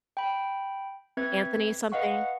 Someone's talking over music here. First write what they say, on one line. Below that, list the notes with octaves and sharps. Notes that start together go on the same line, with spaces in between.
Anthony something,
G5 B5
C4 B4 E5 G#6
B4 D#5 F5 F#5 C#6